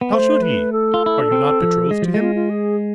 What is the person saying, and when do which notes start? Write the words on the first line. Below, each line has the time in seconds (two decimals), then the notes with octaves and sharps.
How should he? Are you not betrothed to him?
0.01 B3
0.12 A3 C5
0.43 B4
0.73 A4
0.94 F4
1.06 E4
1.19 D4
1.32 C4
1.62 F3
1.91 G#3 G#4
2.02 F3 F4
2.14 G#3
2.20 F4
2.35 F4
2.50 G#4